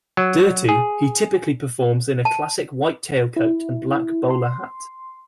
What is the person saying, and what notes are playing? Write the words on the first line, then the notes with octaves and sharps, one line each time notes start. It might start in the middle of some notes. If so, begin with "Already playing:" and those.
Dirty, he typically performs in a classic white tailcoat and black bowler hat.
F#3
G#4
A5
E4
C6